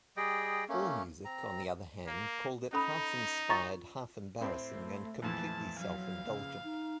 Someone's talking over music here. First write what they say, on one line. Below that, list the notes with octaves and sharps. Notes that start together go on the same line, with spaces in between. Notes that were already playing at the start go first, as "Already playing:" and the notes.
AllMusic, on the other hand, called it half inspired, half-embarrassing and completely self-indulgent.
G3 G#4 D#5 G5
A3 A#3 C#4
C4 A#5
A#3
C#4 D#4 A4 B5
F4 A#5 C#6 A6
A2 A3 C4
F2 A#2 E3 A5
F#3 F5
C#3
D#4